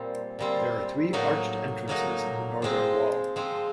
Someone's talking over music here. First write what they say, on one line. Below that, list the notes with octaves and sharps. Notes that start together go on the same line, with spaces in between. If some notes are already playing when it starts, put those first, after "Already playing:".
There are three arched entrances in the northern wall.
Already playing: A#2 G3 C4
A#2 G3 C4
A2 F#3 A#3 D#4
A2 F#3 A#3 D#4
F3 G#3 C4
F3 G#3 C4